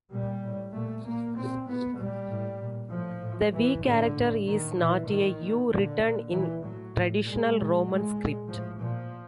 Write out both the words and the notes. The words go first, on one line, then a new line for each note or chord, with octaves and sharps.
The 'V' character is not a 'U' written in traditional Roman script.
A#2 G3
A2
A#2 A3
A#2 A#3
A#2 C4
A2 B3
A#2 G3
A2
A#2
A2 F3
A2
A2 E3
A2 D3
A2
A#2 D#3
A#2 E3
A2 D#3
A#2
A#2 D3
A#2
A#2 E3
A2 F#3
A2
A#2 G#3
A#2
A2 G#3
A#2
A2 F3
A#2 F3